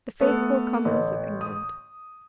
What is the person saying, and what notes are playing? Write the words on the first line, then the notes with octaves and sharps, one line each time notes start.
"The faithful Commons of England."
A3 B3
A1
D#6